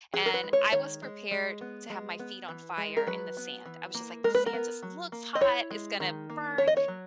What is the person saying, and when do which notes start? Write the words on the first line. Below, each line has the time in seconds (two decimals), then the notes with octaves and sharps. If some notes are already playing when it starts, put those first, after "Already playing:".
and I was prepared to have my feet on fire in the sand. I was just like, "The sand just looks hot, it's gonna burn."
0.14 E3 G#4
0.26 A#4
0.34 B4
0.44 G#3
0.53 C#5
0.72 D#3 C#5
1.02 G#3
1.31 G#3
1.61 B3
1.90 G#3
2.19 B3
2.49 E3
2.77 G#3
2.97 A#4
3.07 F#3 B4
3.37 B3
3.66 E3
3.95 A#3
4.24 G#3 A#4
4.35 B4
4.46 A#4
4.53 B3
4.83 F#3
5.12 A#3
5.35 D#5
5.41 E4 C#5
5.71 G#3
6.00 D#3
6.30 A#3
6.58 D#3 C#5
6.68 D#5
6.77 C#5
6.88 F#3